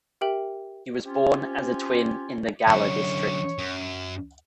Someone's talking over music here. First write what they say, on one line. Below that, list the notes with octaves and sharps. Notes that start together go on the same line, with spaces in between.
He was born as a twin in the Galle district.
G4 A#4 E5 G5 F#7
C4 C#4 F4 G4
F#2 D3 C#5
F#2